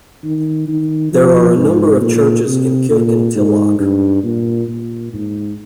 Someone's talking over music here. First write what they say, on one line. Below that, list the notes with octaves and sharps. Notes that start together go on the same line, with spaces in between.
There are a number of churches in Kirkintilloch.
D#3
D#3
F3
G#2
A#2
C3
A#2
G#2
G2
A#2
A#2
G#2